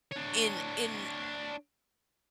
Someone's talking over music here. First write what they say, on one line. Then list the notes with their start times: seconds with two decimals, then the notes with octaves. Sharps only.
in in
0.12 D4 C#5